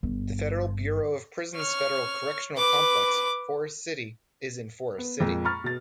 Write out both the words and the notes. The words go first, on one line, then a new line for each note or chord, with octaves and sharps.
The Federal Bureau of Prisons Federal Correctional Complex, Forrest City is in Forrest City.
G1
C#5 F6
B4 D6
B3
F2 A#2 G#3 A#3
A#5 B5 C#6 F6 A6
B2 A6